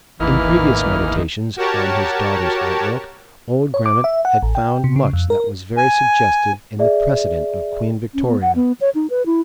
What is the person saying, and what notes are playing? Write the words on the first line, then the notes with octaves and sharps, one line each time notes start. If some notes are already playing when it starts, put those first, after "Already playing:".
In previous meditations on his daughter's outlook old Grammont had found much that was very suggestive in the precedent of Queen Victoria.
A1 E2 D#3 E3 A#3 E4 F6
F#4 G4 A#4 C#5 A5
C#5
D6
E5
F#5
A1
G5
C3
C#3
F2
A#4
G#5
G#4 D5 E5
C#4
B3
F#5
B3
C#5
D#4
B4
E4